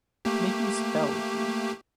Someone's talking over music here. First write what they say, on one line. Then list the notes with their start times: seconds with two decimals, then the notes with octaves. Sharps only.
Make me spell with you.
0.25 A3 A#3 G4